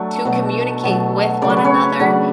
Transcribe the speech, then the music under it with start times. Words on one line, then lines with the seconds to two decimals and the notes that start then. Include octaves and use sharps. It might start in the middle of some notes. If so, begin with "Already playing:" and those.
to communicate with one another,
Already playing: F#3 A3 D4
0.25 B2 F#3 A3
0.83 B2 F#3 A3
1.42 C#3 F#3 A3 D5
1.50 C#5
1.57 B4
1.64 C#4 C#5
2.00 C#3 F#3 A3 D4 D5